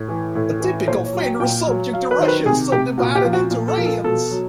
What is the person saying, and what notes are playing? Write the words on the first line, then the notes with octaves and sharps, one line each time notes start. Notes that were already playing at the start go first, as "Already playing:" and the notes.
A typical federal subject of Russia is subdivided into raions.
Already playing: A2
E3
A2
E3
A#2 C5
C#5
F#3
G5
A#2 G5
F#3
F#3 F5
B4
D#3 C5
B4
C3 G#4
C3 G4
A#2 F#4
G4
F3
F#4
A#2
A4
F3 A#4
A4
B2 A4
F#3